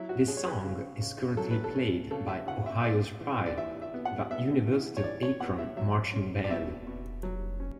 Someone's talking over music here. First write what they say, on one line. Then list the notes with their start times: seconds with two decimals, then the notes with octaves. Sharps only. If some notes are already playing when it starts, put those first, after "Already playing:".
This song is currently played by "Ohio's Pride," The University of Akron Marching Band.
Already playing: F#3 E4
0.09 F#4
0.27 C#4 G#4
0.37 C#5
0.46 B4
0.64 C#3
1.01 C#3
1.37 F#3 A4
1.51 B4
1.64 A4
1.75 C#4
2.11 C#3 A4
2.29 E5
2.47 C#3 F#5
2.66 E5
2.80 E5
2.84 B3 D5
3.21 E3
3.46 D5
3.58 E3 E5
3.82 E5
3.94 B3
4.05 F#5
4.31 B3 E5
4.67 E3
4.97 C#5
5.04 E3 D5
5.23 C#5
5.40 B3 F#5
5.59 E5
5.77 F#3 E5
6.13 C#4
6.44 D5
6.50 B2 E5
6.87 B2
7.23 F#3
7.60 C#4